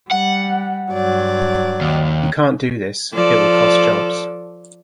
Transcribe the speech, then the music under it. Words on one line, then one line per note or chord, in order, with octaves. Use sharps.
You can't do this, it will cost jobs.
G3 F#5
G2 F#3 D5
D#2
F3 A4 D5